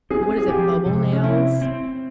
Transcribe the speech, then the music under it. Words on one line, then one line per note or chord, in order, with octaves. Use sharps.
what is it? Bubble nails?
C4 G#4
G#4
F3 G4
C3
C#4
C4 E4
C4